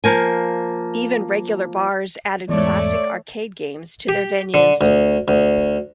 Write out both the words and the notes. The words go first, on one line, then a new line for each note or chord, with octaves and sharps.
Even regular bars added classic arcade games to their venues.
F3 A#3 G#5
E2 G#2 A3 C#5 D5
G4
D3
D2
D2